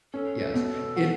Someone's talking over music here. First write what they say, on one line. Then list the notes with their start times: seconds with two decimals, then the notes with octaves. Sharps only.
Yes. It
0.13 C#4 A4
0.54 B2
0.96 F#4